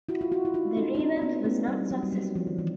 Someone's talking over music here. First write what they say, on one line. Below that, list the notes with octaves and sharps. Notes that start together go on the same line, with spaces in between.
The revamp was not successful.
E4 F#4
F4
E4 F#4
E4
D#4 F4
C#4 D#4
D#4
C4 D4
C4
B3 C#4
A#3 C4
G3
F#3
G3
F#3
F3
D#3
E3